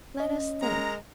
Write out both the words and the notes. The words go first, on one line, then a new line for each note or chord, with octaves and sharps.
Let us think.
C#4 D#5
G#3 A#4 A#5